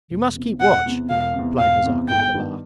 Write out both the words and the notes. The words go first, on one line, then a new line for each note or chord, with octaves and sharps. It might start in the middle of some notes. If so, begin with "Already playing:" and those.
You must keep watch,' replied Nazarka with a laugh.
E1
E2 C3
E1 F#5
E2 C3
E1 F5
E2 C3
E1 F5
E2 C3
G1 G5
G2 D#3 G3 B3